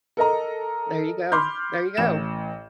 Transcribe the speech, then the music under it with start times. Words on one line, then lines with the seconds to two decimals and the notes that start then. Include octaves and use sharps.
There you go. There you go.
0.17 A4 A#4 D#5 A#5
1.32 B5 C6 D6 F6 G6
1.97 A1 E7